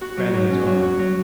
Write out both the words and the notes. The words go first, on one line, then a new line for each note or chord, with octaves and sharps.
Cranly's arm.
F#4
F#3
F#3
C#4
F#3
F#4
F#3